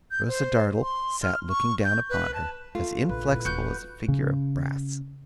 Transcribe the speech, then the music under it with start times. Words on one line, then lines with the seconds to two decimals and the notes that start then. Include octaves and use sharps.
Rosa Dartle sat looking down upon her, as inflexible as a figure of brass.
0.11 G6
0.28 C5
0.83 C6
1.23 F6
1.49 C#6
1.85 G6
2.10 B4
2.34 A5
2.75 A3 F4
3.09 A#1 B4
3.31 A#2 E4
3.45 D#1 F#4 F#6 G6
4.08 C#3